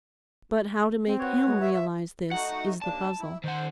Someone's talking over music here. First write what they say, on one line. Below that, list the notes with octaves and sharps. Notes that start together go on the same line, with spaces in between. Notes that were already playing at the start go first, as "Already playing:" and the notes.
But how to make him realise this, is the puzzle.
C4
F#4 B4 C#5
G#3
E5
E5
A3 D#4 F#4 F#5
D#2 A#3 D4 A5
E4
D#3 C5 F#5